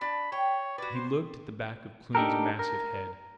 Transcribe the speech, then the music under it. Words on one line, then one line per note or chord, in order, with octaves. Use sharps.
He looked at the back of Kloon's massive head.
D4 A5 B5
C#5 G5
F#4 B4 D5
C5
D4 D#4 G4 A4 A#4
A#4